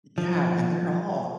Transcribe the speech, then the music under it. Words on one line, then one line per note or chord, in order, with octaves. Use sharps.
Yeah, and they're all
F3